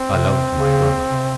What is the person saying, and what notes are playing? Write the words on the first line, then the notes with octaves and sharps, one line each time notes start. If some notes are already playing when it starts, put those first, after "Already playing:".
I loved my brother.
Already playing: C4
C3
C#3
C3